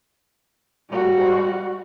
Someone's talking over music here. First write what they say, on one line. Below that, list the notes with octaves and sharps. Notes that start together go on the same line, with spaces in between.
Oh, wow.
G3 F#4